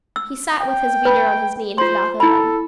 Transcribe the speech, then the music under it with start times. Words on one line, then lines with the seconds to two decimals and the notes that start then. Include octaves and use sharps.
He sat with his weeder on his knee and his mouth open.
0.16 E6
0.61 G5
1.05 B4 B5
1.78 F4 C5 C6
2.20 E4 A4 B5